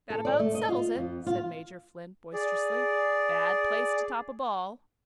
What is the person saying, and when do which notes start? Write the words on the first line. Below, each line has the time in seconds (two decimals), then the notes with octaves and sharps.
That about settles it," said Major Flint boisterously. "Bad place to top a ball!
0.10 A4
0.25 D5
0.40 A3
0.54 D#5
0.69 F4
0.95 F2
1.27 F4
2.33 G#4 D5